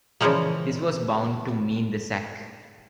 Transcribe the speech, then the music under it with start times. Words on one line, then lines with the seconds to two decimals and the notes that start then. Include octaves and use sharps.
This was bound to mean the sack.
0.21 A#2 C#3 E3 F3 G#3 A#3